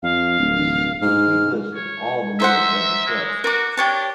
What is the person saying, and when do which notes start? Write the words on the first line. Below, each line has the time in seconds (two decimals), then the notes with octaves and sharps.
This is a complete list of all the winners of the show.
0.03 F2 F5
0.40 D1
1.02 G#2 F6
1.75 C#5
2.40 D#4 C5 E5 F#5
3.06 G#3
3.44 F#4 A#4 D6
3.77 D4 G4 C#5 A5